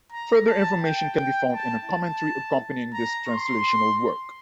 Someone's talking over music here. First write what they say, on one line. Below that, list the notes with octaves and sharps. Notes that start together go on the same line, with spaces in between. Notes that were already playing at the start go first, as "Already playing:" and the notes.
Further information can be found in a commentary accompanying this translational work.
A#5
A5
G5
G5
A5
A5
A#5
C6